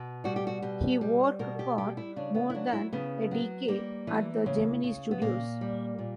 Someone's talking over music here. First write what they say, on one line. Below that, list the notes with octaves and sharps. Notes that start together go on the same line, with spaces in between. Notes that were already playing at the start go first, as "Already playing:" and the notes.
He worked for more than a decade at the Gemini Studios.
Already playing: B2
G3 F#4
G4
F#4
B2 G4
G3
B2 A#4
G4
G3 G4
E4
C#3 D4
B3
E4
F#3 D4
E4
C#3 B3
F#3
G3 A#3
E3
C#3
C#3
B3
A#2 A#3
G3
A#2